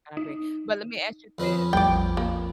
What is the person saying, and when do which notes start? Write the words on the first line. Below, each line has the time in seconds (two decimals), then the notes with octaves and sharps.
I agree. But let me ask you this.
0.17 D#4
1.38 F2 B3 C#4
1.73 A1 E2 G3 D5 G5
2.17 A#3